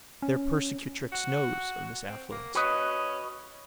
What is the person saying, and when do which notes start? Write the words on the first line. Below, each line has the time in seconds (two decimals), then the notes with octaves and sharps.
Their persecutrix knows of this affluence.
0.22 C#4
1.12 F#4
2.08 C4
2.32 A#3
2.55 C#4 F#4 B4 D#5